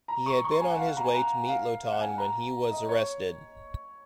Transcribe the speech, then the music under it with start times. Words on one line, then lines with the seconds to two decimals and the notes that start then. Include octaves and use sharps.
He had been on his way to meet Lotan when he was arrested.
0.08 A#5
0.26 C#6
0.44 C#6
0.52 C6
0.61 G#5
0.70 F#5
0.79 F5
0.87 F#5
0.97 A#5
1.04 G#5
1.14 A#5
1.48 F5
1.83 F5
1.92 F#5
2.01 G#5
2.18 A#5
2.71 D#5
2.89 C#5